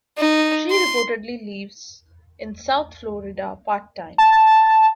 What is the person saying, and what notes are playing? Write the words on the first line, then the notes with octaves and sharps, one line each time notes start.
She reportedly lives in South Florida part-time.
D#4
C6
A5